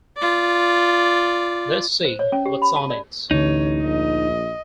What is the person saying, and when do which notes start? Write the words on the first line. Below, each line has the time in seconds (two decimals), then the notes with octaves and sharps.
Let's see what's on it.
0.17 F4 D5
2.05 C5
2.19 C#5
2.32 C#4
2.46 G4
2.62 B5
2.76 A5
2.90 D5
3.31 A1 D2 D3 D#4 C#5
3.84 A#1 D#5